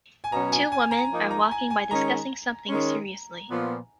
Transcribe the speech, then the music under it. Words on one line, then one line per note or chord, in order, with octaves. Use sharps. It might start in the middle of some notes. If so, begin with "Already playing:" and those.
Two woman are walking by discussing something seriously.
G#5
B2 F#3 C#4 A#5
G#5
G#5
A#5
F3 A#3 D#4
A#5
G#5
G#5
D#3 G#3 C#4 A#5
D#3 G#3 C#4
A#2 F3 B3